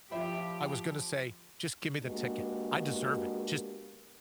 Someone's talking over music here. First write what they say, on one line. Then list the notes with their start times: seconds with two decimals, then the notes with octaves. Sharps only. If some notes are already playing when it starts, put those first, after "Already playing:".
I was gonna say, just give me the ticket, I deserve it, just
0.11 F3 F4 G4 C5 D5 E5 B5
2.03 G#3 A#3 B3 D4 F#4 G4